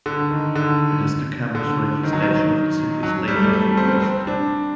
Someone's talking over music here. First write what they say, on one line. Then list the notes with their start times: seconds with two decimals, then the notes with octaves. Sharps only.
It is the campus radio station of the city's Lakehead University.
0.06 D3
0.31 D#3
0.56 D3
1.55 D3
2.03 D#3
2.13 F#3
2.22 D#3
3.03 F#3
3.28 G3
3.36 A3
3.43 G3
3.53 A3
3.77 C4
4.02 C4
4.27 D4